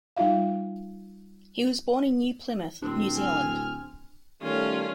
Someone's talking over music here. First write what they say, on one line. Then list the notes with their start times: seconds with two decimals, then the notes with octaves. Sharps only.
He was born in New Plymouth, New Zealand.
0.17 G3 D#4 F4 E5 F5
2.82 D1 C4 D4
3.17 G#5 F6
4.42 D#3 G3 A3 C#4 F4